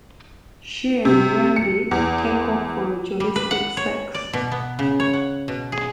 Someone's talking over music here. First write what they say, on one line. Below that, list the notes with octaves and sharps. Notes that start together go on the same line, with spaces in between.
She and Randy take off for ritualistic sex.
C3
C#7
E2
G3
B4
F#5
C#5
D5
B2
B3
C#3
C#5
F#5
B2
G#4